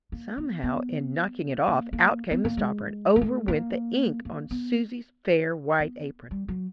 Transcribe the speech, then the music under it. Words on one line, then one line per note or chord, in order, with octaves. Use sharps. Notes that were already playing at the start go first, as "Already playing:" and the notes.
Somehow, in "knocking it off," out came the stopper, and over went the ink on Susy's fair white apron.
A#3
B3
B3
A#3
A#3
B3
A#3
G#3
A#3
A3
A#3
A#3
B3
B3
G3
F#3